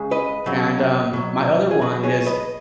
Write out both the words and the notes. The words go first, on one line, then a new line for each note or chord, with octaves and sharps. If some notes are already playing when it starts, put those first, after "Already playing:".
and, um, my other one is
Already playing: C#3 G#3
B4 D#5
C#3 F#3
B2 F#3
G#4
B2 F#3 F#4 B4
G#4 C#5
B4 D#5